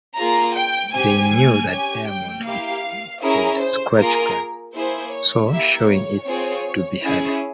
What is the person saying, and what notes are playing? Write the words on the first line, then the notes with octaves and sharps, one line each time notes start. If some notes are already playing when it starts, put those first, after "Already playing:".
They knew that diamond could scratch quartz, so showing it to be harder.
A#3 F4 G#4 A#5
G5
C4 G4 G#5
C#4 G4 G#5
G5
A#3 E4 G4 F5
C#4 E4 G#4 A#4
C5
A#3 F4 G#4 A#4
A#3 E4 G#4 C5
C#5
A#3 E4 G4 E5
C#5
C4 F4 G#4
C#4 E4 G#4